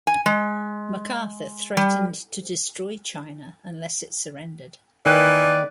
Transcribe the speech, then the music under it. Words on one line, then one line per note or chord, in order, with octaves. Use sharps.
MacArthur threatened to destroy China unless it surrendered.
G#5
G#3
G3
D#3 E3 A#3 B4 D5